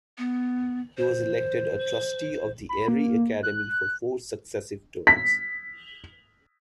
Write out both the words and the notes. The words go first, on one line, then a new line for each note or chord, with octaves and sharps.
He was elected a trustee of the Erie Academy for four successive terms.
B3
C5
B5
A#3
F#6
B6